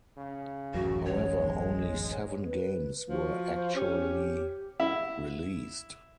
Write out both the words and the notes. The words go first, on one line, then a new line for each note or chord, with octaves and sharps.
However, only seven games were actually released.
C#3
D1 A1 F#2 F#4
G#3 C#5
B4
F3 F#4
C5
C#4 G4
E4